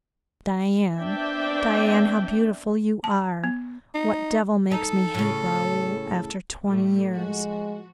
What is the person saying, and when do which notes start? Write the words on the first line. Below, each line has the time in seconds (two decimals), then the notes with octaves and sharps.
Diane, Diane, how beautiful you are!... What devil makes me hate Raoul after twenty years?
0.99 B3 C4 D4 D5 E5 G5
3.04 A5
3.44 B3
3.94 D#4
4.71 D#4 A4
5.15 A2 C#3
6.66 A2 G3 A3
7.15 F3 G#3 F#4